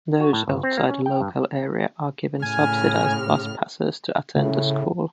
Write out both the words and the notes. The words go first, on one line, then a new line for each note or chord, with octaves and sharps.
Those outside the local area are given subsidized bus passes to attend the school.
F#4
A2
G1
C4
A#3
C#4
G5
G2
A2 C#3 G#5 F6
A2 C#3